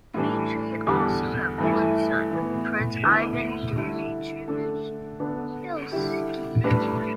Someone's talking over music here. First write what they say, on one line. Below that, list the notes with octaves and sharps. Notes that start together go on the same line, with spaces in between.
Dmitry also had one son, Prince Ivan Dmitrievich Belsky.
A2 E3 G3 D4
E2 D3 G3 D4
G2 E3 A3 E4
A2 E3 B3
D2 D3 B3 E4
D3 G3 E4
D3 A3 D4 A4
D3 B3 D4 A4
D3 G3 E4 G4
A2 G3 D4 B4